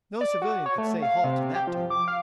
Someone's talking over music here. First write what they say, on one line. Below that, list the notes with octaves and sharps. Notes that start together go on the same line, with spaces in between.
No civilian could say halt in that tone.
D5
F#4
C#5
A3
F5
C3
G4
F3
D6
F5